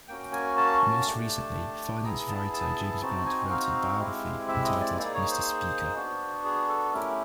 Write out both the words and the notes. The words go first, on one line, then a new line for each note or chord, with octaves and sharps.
Most recently, finance writer James Grant wrote the biography entitled, Mr. Speaker!
A#3 C#4 F#4 G5
G#5
A5
A5
A3 D4 G4
B3 E4 G#4 A#5
A5
A5
C4 D#4 F#4 A5
G#5
F5
G#3 C4 E4 G4
E5
D#5
D5
A#3 D#4 G#4 D5
C#5
C5
B3 D4 F#4
G#4
A4
A3 C#4 E4 G4 A#4